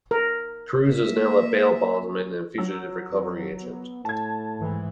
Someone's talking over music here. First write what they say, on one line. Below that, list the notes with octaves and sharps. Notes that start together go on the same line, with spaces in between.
Cruz is now a bail bondsman and fugitive recovery agent.
A#4
A#3 E5
F#3 E6
F2
B3
A2 A5 G#6
G#2 E3